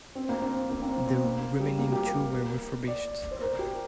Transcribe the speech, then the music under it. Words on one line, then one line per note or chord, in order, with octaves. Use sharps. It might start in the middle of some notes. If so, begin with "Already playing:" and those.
The remaining two were refurbished.
C4
A#3
C4
A#3
C4
A#3
C4
A#3
G3
A#3
G4
A#4
A#4
D5
C5
A#4
G4